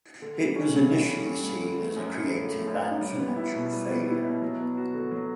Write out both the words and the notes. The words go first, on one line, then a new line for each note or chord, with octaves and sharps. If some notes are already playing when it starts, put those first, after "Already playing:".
It was initially seen as a creative and financial failure.
D3
G3
C#4
G2
D3
G3
C#4
G2
D3
A3
F#2
F#2
D3
A3
F#2
F#2
G3
B3
E4
B2
G3
B3
E4
B2
F#3
B3
F#4
D3
F#3